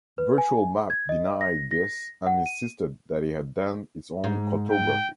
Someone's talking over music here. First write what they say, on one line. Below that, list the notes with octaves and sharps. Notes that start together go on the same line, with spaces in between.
Virtual Map denied this and insisted that it had done its own cartography.
B4
G#5
G#6
D#5
A#6
A#6
F#5
D#7
G#2
G5